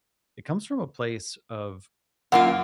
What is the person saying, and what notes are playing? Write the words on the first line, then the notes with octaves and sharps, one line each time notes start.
it comes from a place of
F#2 A#3 F4 F#5